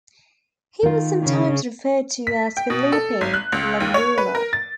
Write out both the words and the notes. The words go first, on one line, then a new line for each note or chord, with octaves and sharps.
He was sometimes referred to as Philippe Lagrula.
D#3 F4
C#3
B6
G5
B2
A4
G#1
F#6
C#2
D#2
C#5
B4
A#4
A6